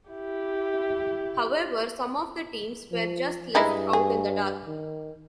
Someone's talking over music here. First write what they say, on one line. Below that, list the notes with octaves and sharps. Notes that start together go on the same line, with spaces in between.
However, some of the teams were just left out in the dark.
E4 G4
F3
G2 G#3 D#4 E4
G#4
D#3